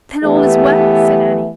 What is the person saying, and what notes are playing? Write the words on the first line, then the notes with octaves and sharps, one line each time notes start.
"Then, all is well," said Annie.
E3 A3 B3 G4